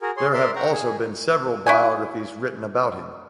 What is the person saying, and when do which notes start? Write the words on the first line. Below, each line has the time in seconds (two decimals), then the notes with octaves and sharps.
There have also been several biographies written about him.
0.01 F#4 G#4 A#4
0.17 G#4 C#5 C6
0.33 A#4 D5 E5 C6
0.56 F#5 G5 A#5 C#6
0.72 G#4
1.66 E4 F#4 G#5